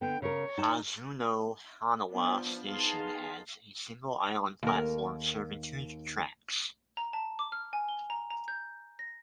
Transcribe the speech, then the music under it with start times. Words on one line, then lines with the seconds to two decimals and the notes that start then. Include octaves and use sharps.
Kazuno-Hanawa Station has a single island platform serving two tracks.
0.01 D3 B3 G5
0.22 C#3 A#4 C#5
0.58 D#4 A5
2.10 F3 B3 D4
2.67 B3 D#4 G#4 F5 A5 C6
4.63 D#2 A#4
6.97 A#5
7.13 A5
7.39 D6
7.52 F6
7.73 G#5
7.88 G7
8.10 A#5
8.30 A#5
8.48 G6
8.99 A#6